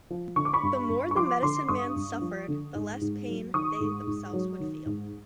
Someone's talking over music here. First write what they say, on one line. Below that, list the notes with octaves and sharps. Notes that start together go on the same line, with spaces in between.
The more the medicine men suffered, the less pain they themselves would feel.
F3
D3 C#6
D6
B5 C#6
G2
G2
C#6
F3 C6 D6
D3 C6 D6
G2 C#6 D#6
G2
F3
D3
G#2
G#2
F#3
D#3 C#6 D#6
G#2
G#2
F#3
D#3
G#2